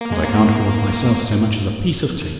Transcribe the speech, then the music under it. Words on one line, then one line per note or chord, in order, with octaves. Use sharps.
And I can't afford myself so much as a piece of tape!
A#3
G#3
A#3